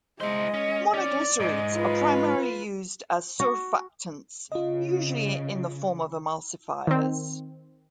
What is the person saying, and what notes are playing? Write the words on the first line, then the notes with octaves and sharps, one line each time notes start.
Monoglycerides are primarily used as surfactants, usually in the form of emulsifiers.
G#3 E4 C5 D#5
C#4
C#4 D5
G#2 D#5
F4 B4
F#4
C#3 F4 D#5
D#3 C4